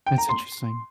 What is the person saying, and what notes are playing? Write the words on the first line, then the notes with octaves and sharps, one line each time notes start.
That's interesting.
G5
A#5
C6